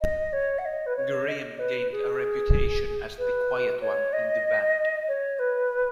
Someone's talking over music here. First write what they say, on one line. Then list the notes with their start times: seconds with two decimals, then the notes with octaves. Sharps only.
Graham gained a reputation as 'the quiet one' in the band.
0.01 D#5
0.33 C#5
0.58 F#5
0.65 D#5
0.86 B4
0.96 C#5
1.28 D#5
1.59 B4
1.91 G#4
3.18 B4
3.81 C#5
4.12 D#5
5.08 C#5
5.39 B4